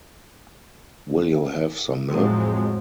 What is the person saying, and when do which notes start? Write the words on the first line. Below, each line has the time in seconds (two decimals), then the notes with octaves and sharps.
Will you have some milk?
2.09 F2 A2 F3 F#3 G#3 C4